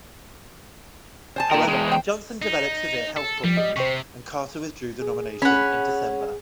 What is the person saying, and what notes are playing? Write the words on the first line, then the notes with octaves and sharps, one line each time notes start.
However Johnson developed severe health problems and Carter withdrew the nomination in December.
C5 G#5 A5
A#2 A#4 G5 A5
E2 G#3
C5 G5
D#4
A4
F3 G3
D#5
C3 C5 G5 C#6
G#4
C#4 F#5 B5